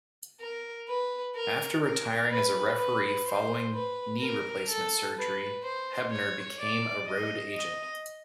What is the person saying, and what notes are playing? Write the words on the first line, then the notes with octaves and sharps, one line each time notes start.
After retiring as a referee following knee replacement surgery, Hebner became a road agent.
A#4
B4
A#4
A#4
B4
B4
C5
B4
A#4
A4
B4
C5
C#5
D5
D#5
D#5